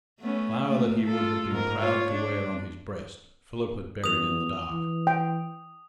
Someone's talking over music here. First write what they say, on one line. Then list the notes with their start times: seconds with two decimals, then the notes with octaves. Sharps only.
The flower that he would have been proud to wear on his breast Philip had buried in the dark.
0.20 A3 B3 C#4
0.66 A3 A#3
1.06 F4 A4
1.51 G#2 A#4
1.80 F4 C#5
2.11 D4
4.04 E2 D#6 F7
4.69 E3
5.07 G5